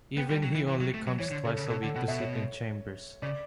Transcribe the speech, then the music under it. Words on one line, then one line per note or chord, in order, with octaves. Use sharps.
Even he only comes twice a week to sit in chambers.
B3 G5
G3
F#3
E3
E3
F#3
A3
F#3
E3 C#5
D3
C#3 A4
C#3
B2 A4
D3 F#5
B2 F#5
B2 E5
C#5
C#3 D5